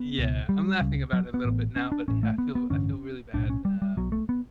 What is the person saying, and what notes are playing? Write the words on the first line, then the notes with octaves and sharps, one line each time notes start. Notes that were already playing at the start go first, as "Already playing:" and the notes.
Yeah, I'm laughing about it a little bit now, but y I feel I feel really bad, um,
Already playing: B3
C#2 B2
G3
C#2 C#3
F#3
B3
A1 A2
C#4
D4
A1 A2 C#4
A3
B3
B3
A1 G2 D3 C#4
B1 A2 D4
C#4
G3
G3
B1 B2 F#3
A3
B3